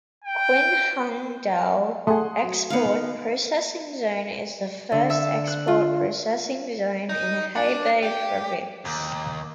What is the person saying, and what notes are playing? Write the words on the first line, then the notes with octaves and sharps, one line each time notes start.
Qinhuangdao Export Processing Zone is the first export processing zone in Hebei Province.
G5
A3 G#4 F#5 C6 D#6
F#3
D#3 A#3 B3 F5 C#7
D3
E5
F#6
F4
D#4
D4
G4
D#2